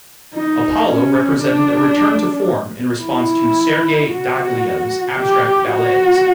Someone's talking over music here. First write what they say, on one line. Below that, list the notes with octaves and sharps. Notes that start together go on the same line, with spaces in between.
"Apollo" represented a return to form in response to Sergei Diaghilev's abstract ballets.
D#4
C#4
D4
E4
F#4
G4
F#4